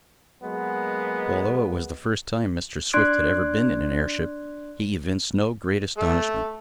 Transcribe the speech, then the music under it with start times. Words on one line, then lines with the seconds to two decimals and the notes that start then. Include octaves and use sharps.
Although it was the first time Mr. Swift had ever been in an airship, he evinced no great astonishment.
0.43 F#3 G#3 A#3 B3
2.93 D4 D5 C6 F#6 G#6 D7
5.98 A3